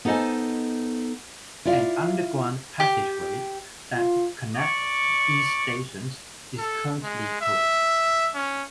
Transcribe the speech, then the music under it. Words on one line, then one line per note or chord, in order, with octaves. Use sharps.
An underground passageway that connects these stations is currently closed.
B3 D#4 A4 C5 D#5 G#5
E4 F4 D5 F5
G4
F4
D5 C#6
A4
G#3
E5
C#4